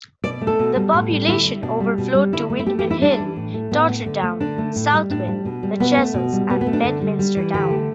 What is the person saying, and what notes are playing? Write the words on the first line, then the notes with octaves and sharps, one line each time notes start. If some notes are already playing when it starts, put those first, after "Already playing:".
The population overflowed to Windmill Hill, Totterdown, Southville, the Chessels and Bedminster Down.
B2 D5
A3
A4
B2
G3
A2
G3
D3 E4
G3
B2 D4
G3
B2
G3
D3 E4
A3
E4
A3 G4
G4
E3
E4
G3 D4
E3
A2
A3
A2 B3
A3
D3
A3
D3 D4
A3
A2
G3
A2 D4
G3
B2
G3
B2 B3
A3
B2
G3
B2 B3
B3
A3
D4
D3
G3
G3
E3
D3 G4
A3